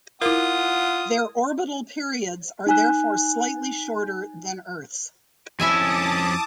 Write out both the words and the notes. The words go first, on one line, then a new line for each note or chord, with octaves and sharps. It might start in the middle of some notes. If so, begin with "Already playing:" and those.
Their orbital periods are therefore slightly shorter than Earth's.
E4 F4 A#4 F#5 D#6
D#4 G#5 F#6
F2 C#4 E4 E5 G#5 A5 D6 D#6